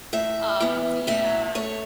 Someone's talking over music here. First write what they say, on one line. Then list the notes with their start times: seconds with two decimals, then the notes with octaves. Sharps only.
Ah, see, yeah.
0.13 A2 E5
0.60 E3 B3
1.07 A2 E5
1.55 A3 C#5